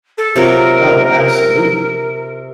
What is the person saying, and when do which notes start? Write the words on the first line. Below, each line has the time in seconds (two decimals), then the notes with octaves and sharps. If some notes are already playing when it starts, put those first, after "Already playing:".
Oh, absolutely.
0.17 A4
0.36 C3 F#3 F4 A#4